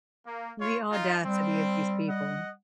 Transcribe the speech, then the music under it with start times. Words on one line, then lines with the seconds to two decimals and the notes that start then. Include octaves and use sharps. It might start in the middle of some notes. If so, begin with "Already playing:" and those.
The audacity of these people.
0.27 A#3
0.60 F4 C#5
0.91 D#4 F4
1.24 G3 C4
2.08 D#5 F#5